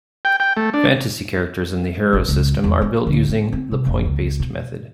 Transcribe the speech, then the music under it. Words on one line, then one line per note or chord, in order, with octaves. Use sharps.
Fantasy characters in the Hero system are built using the point-based method.
G5
G5
A3
D4
A1
C#2
E2
B3
D2
C4
C4
C3
F1
C#2
B2